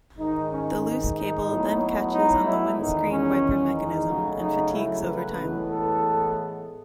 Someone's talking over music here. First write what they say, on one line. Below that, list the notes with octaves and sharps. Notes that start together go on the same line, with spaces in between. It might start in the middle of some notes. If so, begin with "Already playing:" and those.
The loose cable then catches on the windscreen wiper mechanism and fatigues over time.
G#2 D#3 G#3 D#4
C#4
D#4
D#4
A2 F#3 B3
D#4
E4
E2 D#3 G#3 B3 D#4
C#4
D#4
C#3 F#3 A3
D#4
E4
B4
A2 E3 G#3 B3
A4